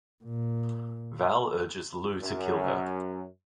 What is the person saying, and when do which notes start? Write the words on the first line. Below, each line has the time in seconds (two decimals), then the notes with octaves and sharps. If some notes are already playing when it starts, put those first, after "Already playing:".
Val urges Lou to kill her.
0.24 A#2
2.22 F#2